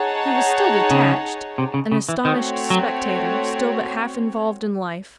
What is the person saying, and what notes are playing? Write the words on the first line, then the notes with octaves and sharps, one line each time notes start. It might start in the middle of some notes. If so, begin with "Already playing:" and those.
He was still detached, an astonished spectator, still but half involved in life.
Already playing: D#4 G#4 C#5 F#5 A5
C#3
C3
C#3
C#3
E3
D#3 A3 C4 F#4 C#5
F#3